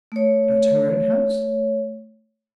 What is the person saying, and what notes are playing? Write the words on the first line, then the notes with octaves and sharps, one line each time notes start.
"At her own house?"
A3 C#5